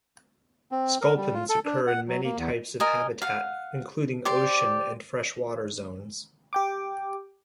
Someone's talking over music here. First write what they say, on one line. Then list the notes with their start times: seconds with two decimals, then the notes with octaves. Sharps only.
Sculpins occur in many types of habitat, including ocean and freshwater zones.
0.72 C4
1.01 A#4
1.16 G3
1.34 F4
1.49 A4
1.65 D4
1.87 F#5
2.08 F#3
2.24 A#3
2.38 E2
2.80 A#4 D#5 G#5
3.22 F5 F#5
4.25 G4 C5 D5
6.53 G4 G5 D6